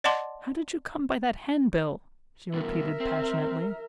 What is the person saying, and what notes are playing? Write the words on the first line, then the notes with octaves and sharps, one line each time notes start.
"How did you come by that handbill?" she repeated, passionately.
D5 D#5 F#5 A5 C6 D6
G2 B2 E3 A#4 E5
C4